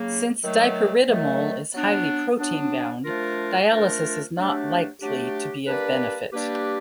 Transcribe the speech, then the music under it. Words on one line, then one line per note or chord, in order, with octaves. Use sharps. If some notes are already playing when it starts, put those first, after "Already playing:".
Since dipyridamole is highly protein bound, dialysis is not likely to be of benefit.
Already playing: C#3 F#3 A#3
D#3 F#3 A3
D#3 F#3 A3
F#3 B3 D4
F#3 B3 D4
F3 A3 D4 F4 A#4
F3 A3 D4 F4 A#4
F#3 A3 D4 G4
F#3 A3 D4 G4
G3 A#3 D4 G4 B4
G3 A#3 D4 G4 B4